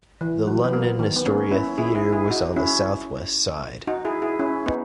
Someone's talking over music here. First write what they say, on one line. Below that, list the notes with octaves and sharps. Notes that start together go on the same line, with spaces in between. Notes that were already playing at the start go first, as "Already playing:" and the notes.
The London Astoria theatre was on the south west side.
E3
F#3
B3
A#3
D#3
B3
A#3 C#4
C#4 E4
E4 G#4
E4 G#4
E4 G#4
D#4 F#4
C#4 E4
D#4 F#4
E4 G#4
E4 G#4
C#4 E4
B3 D#4